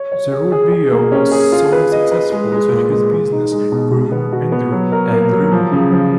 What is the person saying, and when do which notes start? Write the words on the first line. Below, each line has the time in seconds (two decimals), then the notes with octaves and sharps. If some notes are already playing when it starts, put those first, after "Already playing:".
The root beer was so successful, that his business grew, and grew, and grew!
Already playing: C#5
0.12 C#5
0.32 G#4
0.52 G#4
0.72 G#4
0.91 A#3
1.12 C#4
1.32 G#4
1.52 F4
1.72 B4
1.92 D#5
2.12 B4
2.32 G#3
2.52 G#3
2.72 A#2
2.92 G#3
3.12 G#3
3.32 D#4
3.52 G#3
3.72 B2
3.92 G#3
4.12 B3
4.33 F#4
4.52 B3
4.72 F#3
4.92 A#4
5.13 A#3
5.32 F#3
5.52 F3
5.72 C#3
5.92 F3